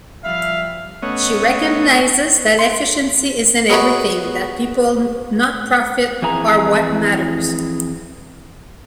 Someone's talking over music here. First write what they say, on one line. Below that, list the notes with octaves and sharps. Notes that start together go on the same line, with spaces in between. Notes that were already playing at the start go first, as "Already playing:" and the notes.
She recognises that efficiency isn't everything, that people not profit are what matters.
F3 G3 E5 F5 B5
A3 B3 C#4 C#5 D#5 F#5
C6 D7
B3 F#4 G#4 A#4 C#5 B5
F2 E3 E4 G#4 A#5